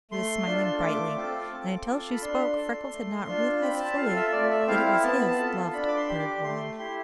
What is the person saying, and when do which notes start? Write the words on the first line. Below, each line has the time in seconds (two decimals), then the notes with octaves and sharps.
She was smiling brightly; and until she spoke, Freckles had not realized fully that it was his loved Bird Woman.
0.11 A3 C6
0.46 D4 F4 A4
0.81 A3 D6
1.16 C4 F4 A4
1.52 C4
1.87 F4 A4
2.11 B5
2.22 D4 C6
2.56 A4
2.93 A3
3.27 D4 F4
3.62 C4 B5
3.80 A5
3.97 F4 A4 F5
4.16 E5
4.32 A3 D5
4.51 E5
4.67 C4 E4 F5
5.02 B3 A5
5.20 B5
5.27 A5
5.39 F4 A4
5.73 D4 B5
5.88 D6
5.97 C6
6.09 G4
6.19 D6
6.43 A3 C6
6.79 E4 G4 C6